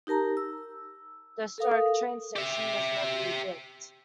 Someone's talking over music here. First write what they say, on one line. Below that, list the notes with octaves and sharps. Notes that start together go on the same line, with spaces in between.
The historic train station was never rebuilt.
D#4 G4 A#4 A5 A#5
E6
A4 A#4 F5 D#6
G4 E5